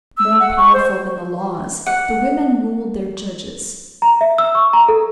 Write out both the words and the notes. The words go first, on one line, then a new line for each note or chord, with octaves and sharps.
More powerful than the laws, the women ruled their judges.
E6
F#5
C#6
C5
F#5
A#5
E5
E6
C#6
A#5
A4